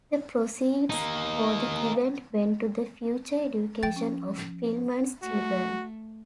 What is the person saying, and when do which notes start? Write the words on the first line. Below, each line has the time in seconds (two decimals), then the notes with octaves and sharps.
The proceeds for the event went to the future education of Pillman's children.
0.90 A#3 D#4
3.83 F3 G5 A6
3.96 C#4
5.23 A3 F#4